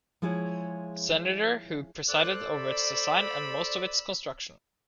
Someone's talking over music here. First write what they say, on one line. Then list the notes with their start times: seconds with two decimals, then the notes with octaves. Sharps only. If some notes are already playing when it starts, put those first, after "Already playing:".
Senator who presided over its design and most of its construction.
0.22 F3 G#3 E4 G#4 C#5
2.09 A4 C5 D5 F#6
2.54 B5 E6